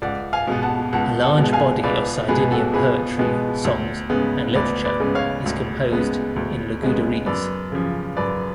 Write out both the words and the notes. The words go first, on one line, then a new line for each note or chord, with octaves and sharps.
A large body of Sardinian poetry, songs and literature is composed in Logudorese.
C#2 D5 F#5
F5 G#5
B2 G#3 B3
F#5 A5
C#2 F#5 A5
F#5 A5
B2 G#3 B3
F5 G#5
C#2 B4 D5
B2 G#3 B3 G#4 B4
F#4 A4
C#2 G#4 B4
B2 G#3 B3
D2
C#3 G#3 B3
D2 B4 D5
B4 D5
C#3 G#3 B3
C#5 F5
D2
C#3 G#3 B3
D2
C#3 G#3 B3
F#2 B4 D5
C#3 F3
F#2 B4 D5